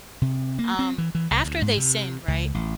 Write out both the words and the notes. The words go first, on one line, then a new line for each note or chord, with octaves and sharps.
um, after they sinned, right?
C3
A#3
C4
E3
E3
C2
D2
G#2
C3
C#2
A1